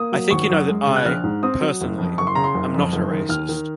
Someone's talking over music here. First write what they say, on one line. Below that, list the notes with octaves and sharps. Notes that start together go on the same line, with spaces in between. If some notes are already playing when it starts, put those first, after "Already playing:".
I think you know that I, personally, am not a racist.
Already playing: A#3 D#6
F#3
G#1 C#6
F#2
G#3
C#3
F#6
A#1 F6
G#2
C4 D#6
F#3
F#1
F2
F#1 C#6
C6
C#3 A#5
C6
F#1
F2
F#1
D#3
D#2 F6
D#3